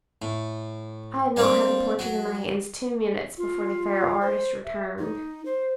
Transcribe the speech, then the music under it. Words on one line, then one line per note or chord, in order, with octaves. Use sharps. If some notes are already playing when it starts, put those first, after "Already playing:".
I had not had the portrait in my hands two minutes before the fair artist returned.
A2
G3 A#3 C4 D4
F#3
F4
C5
E5
D#4
C5